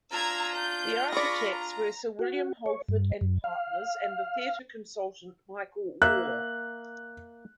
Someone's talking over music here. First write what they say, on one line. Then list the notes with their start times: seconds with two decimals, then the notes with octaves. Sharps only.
The architects were Sir William Holford and Partners and the theatre consultant Michael Warre.
0.13 D4 F4 A#5 E6 G#6
0.54 G6
1.12 G#4 D5 B5 C#6 A#6
1.53 A#5
2.19 F#4
2.66 C#5
2.89 G2
3.21 F#2
3.44 F5
6.02 A#3 E5 F#6